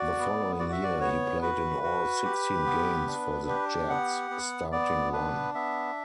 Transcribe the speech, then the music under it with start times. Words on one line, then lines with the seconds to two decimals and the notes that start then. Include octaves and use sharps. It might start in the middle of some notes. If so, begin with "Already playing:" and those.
The following year, he played in all sixteen games for the Jets, starting one.
Already playing: F#4 D5
0.19 B3
0.59 F#4 D5
0.72 E5
0.83 D5
1.01 B3 C#5
1.42 F#4 B4
1.83 F#4
2.24 G4
2.66 B3
3.07 D4
3.49 G4
3.90 B3 F#5
4.31 B3
4.72 B3 D5
5.13 D4 B4
5.55 B3 E5